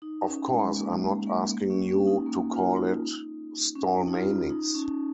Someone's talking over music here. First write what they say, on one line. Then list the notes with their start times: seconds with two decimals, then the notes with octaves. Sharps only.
Of course, I'm not asking you to call it 'Stallmanix'.
0.02 D#4
0.27 C#4
0.52 G#3
0.77 A#3
1.02 G#3
1.27 A#3
1.51 A#3
1.70 C#4
1.89 C#4
2.07 D#4
2.26 A#3
2.51 F4
2.76 D#4
3.75 C#4
4.08 D#4
4.13 F4
4.50 D#4
4.75 C#4